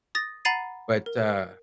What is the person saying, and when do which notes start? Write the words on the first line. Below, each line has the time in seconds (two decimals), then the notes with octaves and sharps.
But, uh
0.15 D#6 A6 A#6
0.45 F#5 A#5 B5 A6 C7 D#7
1.06 A#4